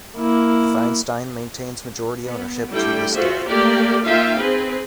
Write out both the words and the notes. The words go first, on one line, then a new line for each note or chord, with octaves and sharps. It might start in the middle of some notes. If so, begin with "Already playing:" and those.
Feinstein maintains majority ownership to this day.
A#3 E4
B3
D3 G3 A3 E4 G5
F4 F#4 G#4 C5 E5
A3 A#3 G4 A#4 D5 G5
A#3 D#4 F4 E5 F5 G5
C4 G#4 B4